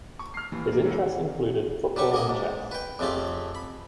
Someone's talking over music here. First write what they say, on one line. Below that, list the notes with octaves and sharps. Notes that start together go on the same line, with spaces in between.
His interests included football and chess.
C#6
F6 C7
D#2 E3
F#3 A#3
C3 E3 G#3 C#4
F#3 G3 G4 C#6
C#3 A#3 D#5
G#2
B4 G5
F2 C#3 A3 F4 G4
B5